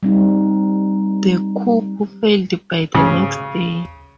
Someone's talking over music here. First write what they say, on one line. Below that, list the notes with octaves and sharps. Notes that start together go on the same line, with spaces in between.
The coup failed by the next day.
G3 C4 D#4
C#3